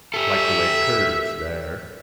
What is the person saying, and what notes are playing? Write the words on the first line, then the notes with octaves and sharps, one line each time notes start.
Like the way it curves there.
G4 A4 E5